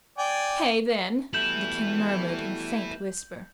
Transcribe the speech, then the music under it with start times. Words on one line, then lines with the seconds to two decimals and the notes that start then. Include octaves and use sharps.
'Hay, then,' the King murmured in a faint whisper.
0.18 D5 G5 G#5
1.33 B2 G3 A3 E4 B4 G6 E7 F#7